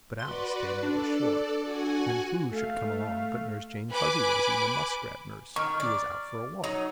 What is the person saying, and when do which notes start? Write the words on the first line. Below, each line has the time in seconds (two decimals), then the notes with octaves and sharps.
But Alice stayed near shore, and who should come along but Nurse Jane Fuzzy-Wuzzy, the muskrat nurse who was out for a walk.
0.19 F#4 B4 D5 C6
0.83 D4 A4 D5
1.61 F#4 F#5 G#5
2.51 A3 F5
3.92 B4 G#5 D6
5.56 D#3 C#6 F6
5.80 D5
6.64 F#3 D#4